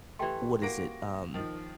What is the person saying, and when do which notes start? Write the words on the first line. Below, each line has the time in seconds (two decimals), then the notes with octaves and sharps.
What is it? Um,
0.19 E3 A3 G4 G5 C6
0.62 A#3 F#4 A#6 D7
1.34 D#3 F3